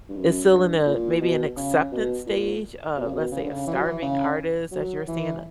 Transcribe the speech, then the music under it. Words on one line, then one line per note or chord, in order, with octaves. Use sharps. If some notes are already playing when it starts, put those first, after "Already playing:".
it's still in a maybe an acceptance stage of, let's say, a starving artist, as you were saying, uh,
G2
F#2
G2
A#2
B2
C#3
B2
A#2
B2
C#3
B2
C#3
D3
C#3
E3
F#3
E3
C#3
F#3
E3